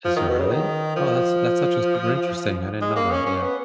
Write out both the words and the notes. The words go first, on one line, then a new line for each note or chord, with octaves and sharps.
Is there really? Oh, that's that's actually super interesting. I didn't know that, yeah.
F3
D#3
B2
C#3
D#3
F3
G#3
A#3
C#4
C#4
B3